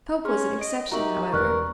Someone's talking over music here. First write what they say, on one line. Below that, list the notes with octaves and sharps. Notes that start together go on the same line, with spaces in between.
Pope was an exception, however.
C#4 G#4 C6 F6
D#5 D7
D#4 F#4 G4 A#4 E5 A#5 C#6 F#7
E1 A#4 B4 D5 C#6 F6 F#6